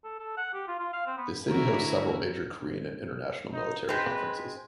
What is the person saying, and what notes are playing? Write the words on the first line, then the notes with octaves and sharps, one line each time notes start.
The city hosts several major Korean and international military conferences.
A4
A4
F#5
G4
F4
F4
F5
C4
B3
D2 E4 F#4 A#4
D#4
G#3 C4 B4